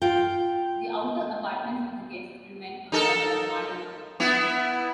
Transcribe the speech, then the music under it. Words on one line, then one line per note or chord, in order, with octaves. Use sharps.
The outer apartments for guests and men are called the "Mardana".
F4 G5
D#4 A4 A#4
B3 E4